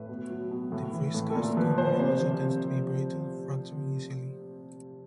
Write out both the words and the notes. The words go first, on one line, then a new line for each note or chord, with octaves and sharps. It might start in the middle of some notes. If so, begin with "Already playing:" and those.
The freeze-cast component also tends to be brittle, fracturing easily.
Already playing: A2 B4
B2
F#3
B2
A2
E3
A2
A4
A#2 A#4
F3 B4
A#2 C5
C3 C5
F3
C3